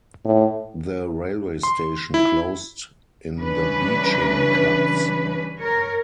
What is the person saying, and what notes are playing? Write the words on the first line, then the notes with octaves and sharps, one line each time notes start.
The railway station closed in the Beeching cuts.
A2
C6
E4
C#3 E3 G3 C#4 D4 B4
A#4 C#5